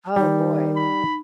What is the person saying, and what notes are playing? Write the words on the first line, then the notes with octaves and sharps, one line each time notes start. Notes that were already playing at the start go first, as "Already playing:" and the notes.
Oh, boy.
D#3 G3 D#4
B5